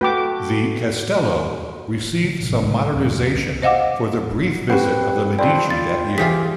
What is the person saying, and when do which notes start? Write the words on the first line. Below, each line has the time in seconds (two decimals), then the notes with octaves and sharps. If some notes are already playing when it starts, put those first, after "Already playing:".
The "castello" received some modernization for the brief visit of the Medici that year.
0.01 A3 F#4 B4 G5 D6
2.23 D3 F3
2.41 G#1 A2 C3 G3
2.62 C2 C#3 G3 A#3
2.95 E2 B2 F#3
3.34 C2 C4
3.62 C5 D#5 F5 F#5 D6
4.70 C4 G4 B4 F#5 B5
5.39 F2 D5 G5 B5 C6
5.70 F4 A6
6.18 C3 E3 F4 G4 G#4 B6